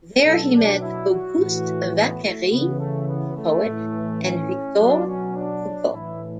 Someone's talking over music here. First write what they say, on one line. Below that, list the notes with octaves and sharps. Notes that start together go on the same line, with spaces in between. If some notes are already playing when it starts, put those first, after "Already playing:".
There he met Auguste Vacquerie, a poet, and Victor Hugo.
B2 F#3 A4
D4
E4
F#4
A2 E3
B3
A3
C#3 E3 B3
A3
B3
A3
A2 E3
C#4
B2 F#3 D4
C#4
D4
A2 E3 E4